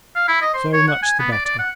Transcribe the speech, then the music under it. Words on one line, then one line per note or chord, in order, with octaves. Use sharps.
"So much the better."
F5
E4
D#5
C5
C#5
F#5
G#5
B3
D5
D5
F#5